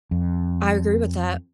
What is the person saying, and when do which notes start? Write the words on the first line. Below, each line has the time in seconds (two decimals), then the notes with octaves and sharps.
I agree with that.
0.11 F2